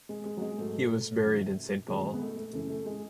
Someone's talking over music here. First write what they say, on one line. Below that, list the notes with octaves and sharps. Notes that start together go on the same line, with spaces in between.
He was buried in Saint Paul.
G#3
G#3
F#3
G#3
G#2 F#3 A3
F#2 D#3 F#3
F#2 D#3 F#3 G#3
G#3
B3
A3
A3
F#2 C#3 E3 A3
A3
G#3